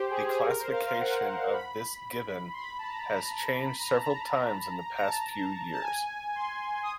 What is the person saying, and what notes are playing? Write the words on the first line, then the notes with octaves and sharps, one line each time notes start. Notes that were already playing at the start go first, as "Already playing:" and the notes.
The classification of this gibbon has changed several times in the past few years.
Already playing: G4 C5
G#4
G#4
A#4
C5
F5
F5
F#5
B5
C6
B5
A5
A#5
A#5
B5
A#5
A5
A#5
A#5
A#5
A5
A5
G#5
C6
D#6